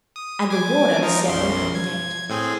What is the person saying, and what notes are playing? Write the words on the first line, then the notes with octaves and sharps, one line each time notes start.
And the Warder set open the gate.
D#6
G#5 D6
F3 D#4 A#4
B1 F#2 C6
G#6
A2 C4 G#4